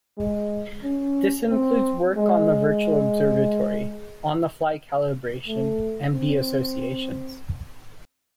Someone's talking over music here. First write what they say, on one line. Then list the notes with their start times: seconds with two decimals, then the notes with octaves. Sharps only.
This includes work on the Virtual Observatory, On-The-Fly Calibration, and B Associations.
0.18 G#3
0.84 C#4
1.50 C4
2.17 G#3
5.48 A3
6.13 C4